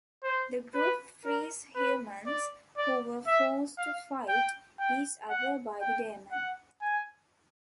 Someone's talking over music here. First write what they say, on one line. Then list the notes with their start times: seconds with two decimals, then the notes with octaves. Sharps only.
The group frees humans, who were forced to fight each other by the demon.
0.24 C5
0.74 B4
1.25 A#4
1.75 B4
2.26 D5
2.77 D5
3.27 E5
3.78 F5
4.29 G5
4.79 G5
5.29 F#5
5.81 G5
6.32 F#5
6.81 G#5